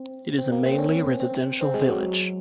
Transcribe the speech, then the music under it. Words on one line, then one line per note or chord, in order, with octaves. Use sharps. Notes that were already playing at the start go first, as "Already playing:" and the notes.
It is a mainly residential village.
Already playing: C4
C4
A#3
C4
C#4
C4
C4
G#3
F#3